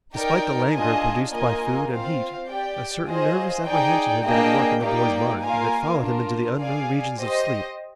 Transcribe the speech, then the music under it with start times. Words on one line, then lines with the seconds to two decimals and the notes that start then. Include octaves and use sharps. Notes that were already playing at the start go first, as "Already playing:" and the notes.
Despite the languor produced by food and heat a certain nervous apprehension had been at work in the boy's mind, and it followed him into the unknown regions of sleep.
0.14 D#4 A#4 D5 G5
0.73 D4 F4 G#4 D#5 G#5
1.31 A#3 F4 A#4 D#5 G#5
1.91 C4 F4 C5 F5
2.49 G4 D5 G5
3.07 F4 G#4 C5 D#5
3.66 D#4 G#4 D5 G5
4.25 A#3 D4 G#4 D#5 G5
4.83 A#3 D#4 G4 D5 G5
5.42 A#3 F4 A#4 F5 G#5
6.00 D4 F4 A#4
6.59 G#4 D5 F5 G#5
7.17 G4 C5 D#5